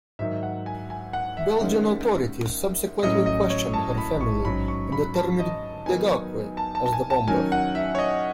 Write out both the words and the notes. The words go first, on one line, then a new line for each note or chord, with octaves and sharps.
Belgian authorities subsequently questioned her family and determined Degauque as the bomber.
G#2 D#3 F#3 E5
F#5
G#5
G#5
F#5
E5
D#3 G#3 C#4
A2 F#3 C#4 D#5
D#5
C#5
A5
B5
C#6
G#2 F#3 C#4 B5
C#6
B5
A5
D#5
D#3 F#3 B3 D#4 G#5
A5
A5
A5
G#5
A5
D#3 F#3 C#4 G#5
F#5
E5
C#5
D#5